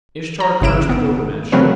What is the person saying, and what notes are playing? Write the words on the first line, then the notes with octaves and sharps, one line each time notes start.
Ishtar cursed Gilgamesh.
A#5
G1 C#3 E4 D7 E7
B3
D#3
C#3 F#3 A3 C4 A#4 B4